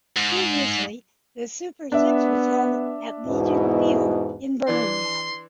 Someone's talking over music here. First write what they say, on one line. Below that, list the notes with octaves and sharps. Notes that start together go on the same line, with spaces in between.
Previously, the Super Six was held at Legion Field in Birmingham.
G#2
B3 D4 E5
E2 G#2 B2 E4
E3 D4 C6